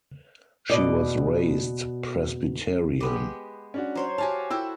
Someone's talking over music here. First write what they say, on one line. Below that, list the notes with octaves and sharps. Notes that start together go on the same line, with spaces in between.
She was raised Presbyterian.
B2 D5 D#5
G#3 B3 G4
C#4 D4 F#4
F#3 C5 C#5
F#4 G4 F5 G#5 A5
E4 F#4 A4 G5 E6